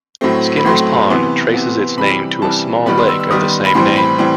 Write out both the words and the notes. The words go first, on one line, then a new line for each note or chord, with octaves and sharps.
Skinners Pond traces its name to a small lake of the same name.
A2 F#3 A3 C4
B5
A2 F#3 A3 C4 C6
C3 E3 B3
C3 E3 B3
C3 E3 G3 B5
C3 E3 G3 A5
D#3 G3 B3 B5
C6
E6
E6
D#3 G3 B3 D#6
B5
A2 E3 G3 C4 C6
B5
A2 E3 G3 C4